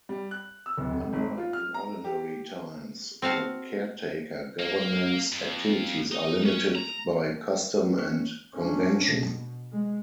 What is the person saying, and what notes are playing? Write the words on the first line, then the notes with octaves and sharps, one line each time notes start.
Unlike in ordinary times, the caretaker government's activities are limited by custom and convention.
G3
F#6
E6
D1
F1
G#1
F4
F6
A#5
G4
C4 F#4 F5 A5
A#3
F2
D#4
C#4
A#5
C#4
C#4 D4
B2
G#3